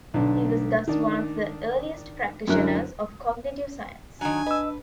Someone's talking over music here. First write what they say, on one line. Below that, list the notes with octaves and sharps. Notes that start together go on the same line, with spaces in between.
He was thus one of the earliest practitioners of cognitive science.
B1 D3 D4
D#3 D4
F#2 D3 F#3 E4 A#4 F#6
D#3 F#3 D4 G#5
B4 D#5 E6